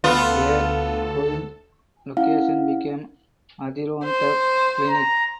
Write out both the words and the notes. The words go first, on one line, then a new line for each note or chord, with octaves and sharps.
Their "Corinth" location became "Adirondack Clinic".
D2 B3 F4 A4
C#4 E4 F5 F#5
C5
A#5